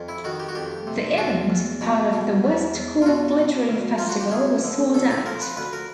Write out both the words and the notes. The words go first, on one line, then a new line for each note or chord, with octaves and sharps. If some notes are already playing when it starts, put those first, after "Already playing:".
The event, part of the West Cork Literary Festival, was sold out.
Already playing: F2
E4
D#3 F#4
G4
F#4
F2 G4
C3
E2 F#4
E2
B2
B2
E2
E2
F4
B2 F#4
B2
D2
F3 F4
F#4
G4
D2 G#4
D3
D2 A4
A4
F3 A#4
B4
D2 B4
A#4